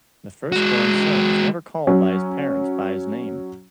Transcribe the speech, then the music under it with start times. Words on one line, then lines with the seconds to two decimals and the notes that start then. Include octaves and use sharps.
The firstborn son is never called by his parents by his name.
0.52 G#3 F#4
1.87 F#3 C#4